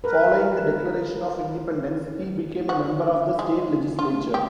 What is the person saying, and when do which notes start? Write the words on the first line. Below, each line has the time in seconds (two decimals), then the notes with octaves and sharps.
Following the declaration of independence, he became a member of the state legislature.
0.04 A#4 B4
2.69 F#4
3.39 G#3
3.99 F4
4.34 G4